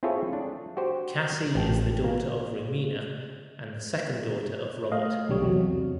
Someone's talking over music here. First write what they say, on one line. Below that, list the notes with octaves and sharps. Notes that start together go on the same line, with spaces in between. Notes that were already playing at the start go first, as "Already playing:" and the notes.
Cassie is the daughter of Romina and the second daughter of Robert.
C4 E4 F4 G#4 A4 C#5
D4
F#4 G4 C5
A1 G5 A5
A#3
A3 D#5 F5
B1 D3 G3 C#5
E2 C3 F#3